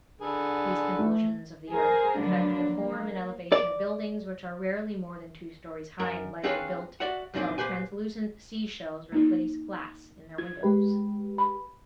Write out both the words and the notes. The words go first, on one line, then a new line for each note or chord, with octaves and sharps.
These convulsions of the earth affect the form and elevation of buildings, which are rarely more than two stories high and lightly built, while translucent sea-shells replace glass in their windows.
D3 G#4 A4 B4
A3
G#4 A#4 C5
D3 F3 F#3 A#3 B3 D4
A#3
D5
F#2 A#4
C4 D4 F4 G#4 B4 C#5
F#4 D5 E5 F#5
F#2 A#2 D#3 G#3 C4 D4
A#2 G4 B4 C5 G#5
A#3 D#4 F4
F4 G#6
G#3 G4 B4
B5